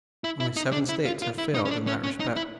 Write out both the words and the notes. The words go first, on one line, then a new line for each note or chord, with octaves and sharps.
Only seven states have failed in that respect.
E4
E4
D#4
D4
E4
F4
F4
E4
D#4
C#4
D4
C#4
C#4
D#4
E4